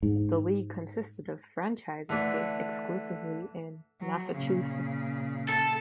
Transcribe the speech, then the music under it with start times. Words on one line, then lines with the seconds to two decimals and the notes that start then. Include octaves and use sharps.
The league consisted of franchises based exclusively in Massachusetts.
0.03 G#2
2.09 D3 E3 A3 D4
4.00 F#3
4.35 A#2 C#3
5.49 A4